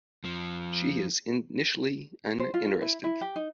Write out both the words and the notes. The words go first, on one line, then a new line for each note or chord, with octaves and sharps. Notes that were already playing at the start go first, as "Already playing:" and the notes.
She is initially uninterested.
F2 F3
C5
F4
F4
E4
E4
G4
D#4